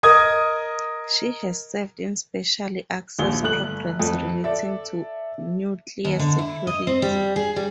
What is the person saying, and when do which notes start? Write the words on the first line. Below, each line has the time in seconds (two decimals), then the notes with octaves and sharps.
She has served in special access programs relating to nuclear security.
0.03 A#4 D#5 D#6 G#6
3.19 A#1 D#2 G7
3.43 G1 A3 F#6 F#7
4.00 F2 A3
4.44 A4 D5 E5
6.05 D#2
6.19 D3
6.38 E4
6.67 D#5
6.87 C4
7.02 G3
7.36 G#4
7.56 G3